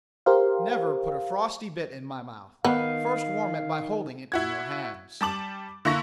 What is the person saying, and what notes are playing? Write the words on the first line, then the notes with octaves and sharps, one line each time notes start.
Never put a frosty bit in my mouth; first warm it by holding it in your hands.
G4 A#4 C5 F5
D#3 B3 F5
E4 F#4 G#6
G3 A5 D6 F#7
D3 A#3 E4 C#6 A#6